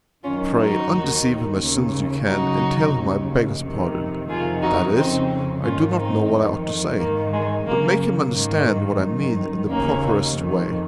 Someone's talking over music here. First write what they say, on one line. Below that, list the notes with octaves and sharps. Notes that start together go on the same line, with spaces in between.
Pray undeceive him as soon as you can, and tell him I beg his pardon--that is--I do not know what I ought to say--but make him understand what I mean, in the properest way.
F#2 D#3 C#4 F4
D#4 F#4
D#2 D#3
D#2 C#3
F#2 C#3 D#4 F#4
D#2 C#3
F2 C3 D#3
F2 C3 D#3 F4 G#4
D#4 F#4
F2 C#3 C4 D#4
G#2 D#3 C#4 F4
C4 D#4
F2 D#3
G#2 D#3 A#3
G#3
F#2 C#3 A#3
G#2 D#3 A#3
F#2 D#3
D#2 C#3 A#3 C#4
F2 D#3